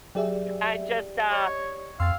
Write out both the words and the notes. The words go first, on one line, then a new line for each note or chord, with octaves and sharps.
I just, uh,
F#3 G4 G#4 D5 E5 G5
C#5 D#5
F2 F5 G5 C6 E6 A6